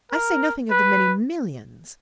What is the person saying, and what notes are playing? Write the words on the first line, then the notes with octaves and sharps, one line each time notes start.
I say nothing of the many millions...
A#4
B4